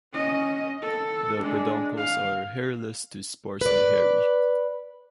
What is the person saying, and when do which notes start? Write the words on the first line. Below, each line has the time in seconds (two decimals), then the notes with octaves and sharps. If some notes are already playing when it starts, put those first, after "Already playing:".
The peduncles are hairless to sparsely hairy.
0.13 C#4 D#5
0.82 A4
1.40 G#3 D4
1.98 F5
3.61 B4 D5